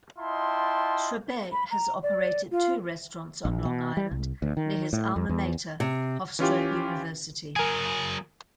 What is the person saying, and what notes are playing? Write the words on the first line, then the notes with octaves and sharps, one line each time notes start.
Chrebet has operated two restaurants on Long Island near his alma mater, Hofstra University.
E4 F4 D#5 G5 A5 C6
B5
A#5
D5
F4
A#1
B2
G3
C2
D2
D#3
A2
F2
E2
C3
E3 C#4 F4 G4
F#3 G#4 A#4 G#5